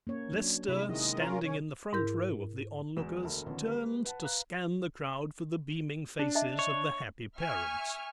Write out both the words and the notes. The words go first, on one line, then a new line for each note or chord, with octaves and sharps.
Lester, standing in the front row of the onlookers, turned to scan the crowd for the beaming faces of the happy parents.
A#3 C#4 C#5
F#3 D4
C3 E4 G#4 B5
D#3 G#3 E4 D#5
C#4 F4 A#4
C#4 C#5
G#2 E4 A#4 G6
E2 F#3 G#3 B3 B4 E7
E1 D2 D4 A4 A#4 B5
D3 D#3 F3 B3 C#4
G3 G#3 B4
B4 F#5 A5
B4 F5 A#5 F#6
D4
D#5 E5 A5
C#5
E5 G#5 C#6 F6